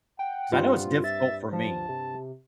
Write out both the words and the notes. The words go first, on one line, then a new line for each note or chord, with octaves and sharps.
'Cause I know it's difficult for me.
F#5 G5
G2 G3 C4 F4
E5 A6
F3 A5
C3